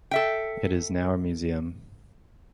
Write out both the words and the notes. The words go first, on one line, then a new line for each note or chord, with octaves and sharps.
It is now a museum.
A4 E5 G5